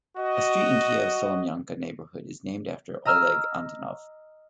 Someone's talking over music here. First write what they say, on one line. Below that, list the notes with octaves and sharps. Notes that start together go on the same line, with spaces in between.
A street in Kiev's Solomyanka neighborhood is named after Oleg Antonov.
F#4 D#5
D#5 A#5 E6 F6